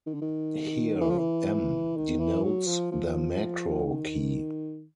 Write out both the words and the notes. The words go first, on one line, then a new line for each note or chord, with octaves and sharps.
Here, "m" denotes the "Macro" key.
D#3
D3
D#3
E3
F3
E3
D#3
E3
F#3
F3
F3
D#3